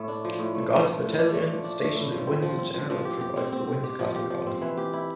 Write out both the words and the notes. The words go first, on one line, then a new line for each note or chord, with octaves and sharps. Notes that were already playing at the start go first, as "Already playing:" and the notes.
The Guards Battalion stationed at Windsor generally provides the Windsor Castle Guard.
Already playing: A2 A3
D4
F3
A2
A3
A3
F3
A2
D4
A3
F3
D4
A3
A2
F3
C4
F3
C4
F3
F3
G4
G4
C4
C4
C4
G4
F3
G4
F3
C4
E3
G4
E4